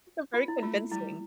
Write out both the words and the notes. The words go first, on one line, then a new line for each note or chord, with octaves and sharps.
You're very convincing.
F4
E4
A3 F4
G3 E4